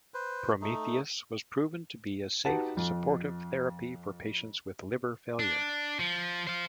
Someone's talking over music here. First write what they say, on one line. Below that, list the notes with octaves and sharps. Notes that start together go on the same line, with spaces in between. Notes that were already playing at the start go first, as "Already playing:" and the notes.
Prometheus was proven to be a safe supportive therapy for patients with liver failure.
B4 C5
A3 D#4
D#4 F#4 G4 B4 F#5 A5
F2
D4
F3
C5 F5